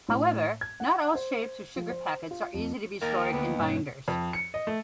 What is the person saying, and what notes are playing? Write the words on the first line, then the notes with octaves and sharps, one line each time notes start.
However, not all shapes of sugar packets are easy to be stored in binders.
A2
G#6
F#5
C5
F3
C5
F4
F2
D#2 A#4
D2 B3
G2 B2 C#4
F2
C#7
D#5
A3